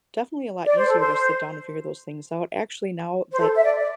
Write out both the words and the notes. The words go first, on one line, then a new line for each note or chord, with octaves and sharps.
definitely a lot easier to sit down and figure those things out. Actually, now that
D5
C5
A4
C5
C5
A4
E5
D5
D5